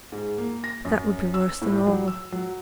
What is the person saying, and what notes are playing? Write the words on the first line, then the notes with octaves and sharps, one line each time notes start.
That would be worse than all.
G#2
A#3
A#6
F#2
E6
A2
F#3
E6
F#3